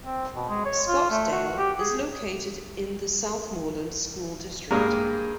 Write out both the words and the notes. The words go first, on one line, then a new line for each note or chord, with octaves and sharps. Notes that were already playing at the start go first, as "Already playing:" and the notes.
Scottdale is located in the Southmoreland School District.
C4
B2
G#3
C#5
F4
A3
F#4
G4
G#4
G2 G3 G#3 A#3